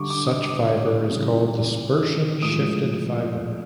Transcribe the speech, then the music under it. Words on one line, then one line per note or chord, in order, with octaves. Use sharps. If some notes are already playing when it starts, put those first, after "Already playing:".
Such fiber is called dispersion-shifted fiber.
Already playing: D3 G3 C#6 D6
D6
D#6
D6
C#3 E3 G3
A2 F3 G#3 D#6